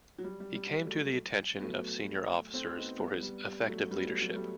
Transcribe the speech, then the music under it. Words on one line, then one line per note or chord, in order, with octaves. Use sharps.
He came to the attention of senior officers for his effective leadership.
F#3
G3
G3
G3
G3
F#3 A3
B3
F#3 A3
A3 C4
B3 D#4
G3 B3
G3
G3
F#3 A3
G3 B3
F#3 A3
F#3
A3
G3